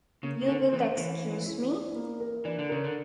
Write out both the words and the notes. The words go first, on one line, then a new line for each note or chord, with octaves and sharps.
You will excuse me.
C#3 A#3
C#3
D3 C#4
E3 A#3
E3 C#4
C#4
E4
D4
A#3
A#4
E3 D4
D3
C#3 A#4
D3